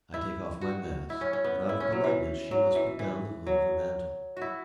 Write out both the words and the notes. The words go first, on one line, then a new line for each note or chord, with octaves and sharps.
I take off my mask, and out of politeness she must put down the hood of her mantle.
E4
F#4
E4
C#4
C#4
B3
E4
C#4
F#3
E3
F#3
E3
E3
F#3
E4 F#4